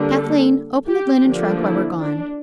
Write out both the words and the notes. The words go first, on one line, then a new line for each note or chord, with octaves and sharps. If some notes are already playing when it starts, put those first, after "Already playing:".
Kathleen, open the linen trunk while we're gone.
Already playing: D3 G3 A#3 D4
A4
G4
D3 F3 A#3 D4
E4
D4